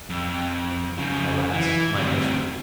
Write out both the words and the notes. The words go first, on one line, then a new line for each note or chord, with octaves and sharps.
'Alas! my misery!
F2
C#3 F3
E3
D2 C4